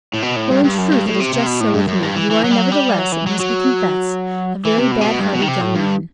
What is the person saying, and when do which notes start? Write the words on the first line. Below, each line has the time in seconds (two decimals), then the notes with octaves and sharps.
"Well! in truth, it is just so with me; you are, nevertheless, it must be confessed, a very bad-hearted young man."
0.14 A2
0.22 B2
0.36 A2
0.50 G2
0.64 G2
0.78 F#2
0.91 G2
1.06 A2
1.20 C3
1.34 C3
1.46 B2
1.61 A2
1.74 G2
1.88 F#2
2.02 G2
2.16 E3
2.30 E3
2.44 F#3
2.51 G3
2.58 F#3
2.72 G3
2.99 F#3
3.12 E3
3.27 F#3
3.40 F#3
4.65 E3
4.78 C3
4.92 B2
5.01 C3
5.07 B2
5.20 G2
5.33 B2
5.42 D#3
5.48 C3
5.61 A2
5.75 G2